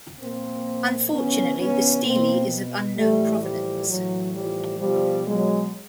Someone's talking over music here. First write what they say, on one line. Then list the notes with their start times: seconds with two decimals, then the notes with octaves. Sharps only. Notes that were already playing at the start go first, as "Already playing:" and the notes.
Unfortunately, the stele is of unknown provenance.
0.20 A#2 F3 A#3 C4
1.11 C3 E3 B3 C#4
1.58 B3 C#4
2.04 B2 A#3 C4
2.96 A2 E3 G3 A3
3.42 F3 G3
3.88 A2 E3 F#3
4.34 F3 G3
4.79 B2 F3 G3
5.25 F#3 G#3